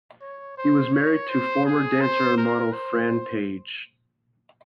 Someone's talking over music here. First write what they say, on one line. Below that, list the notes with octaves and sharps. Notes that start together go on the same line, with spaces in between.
He was married to former dancer and model, Fran Page.
C#5
C5
C#5
C5
G#4
C5
A#4
C5